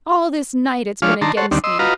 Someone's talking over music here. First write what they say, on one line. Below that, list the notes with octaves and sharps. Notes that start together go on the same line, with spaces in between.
All this night it's been against me!
F3 G#3 D4 F4 C#5 F5
D#3 D4 A5 A#5 C6
A4 C5 C#5 F#5
D#2 D3 D#3 G3 C4 D4
D#5 C6 E6
F4 F#4 B4 D#5 F5 A#5